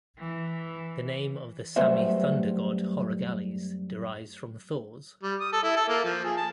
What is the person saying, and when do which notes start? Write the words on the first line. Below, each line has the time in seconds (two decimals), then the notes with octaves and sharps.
The name of the Sami thunder god Horagalles derives from Thor's.
0.18 E3
1.76 F#2 G3 A3 B3 C5 E5
5.23 G3
5.41 D#6
5.52 A4
5.63 E4
5.76 A4
5.88 A#3
6.04 F3
6.24 G#4
6.37 A5